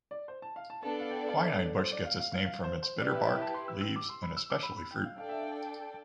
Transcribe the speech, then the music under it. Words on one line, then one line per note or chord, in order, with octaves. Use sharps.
Quinine bush gets its name from its bitter bark, leaves, and, especially, fruit.
D5
C5
A5
F5
A5
B3 D4 A4 D5 A5
F5
G5
F5
E5
D5
C5
D5
F5
F5
F5
F5
C5
C5
E4 G4 B4 D5
E5
E5
A5
C6
E6
E6
D6
C6
B5
E6
D6
B5
B5
G5
F5
D4 A4 D5 F5 G5
E5
F5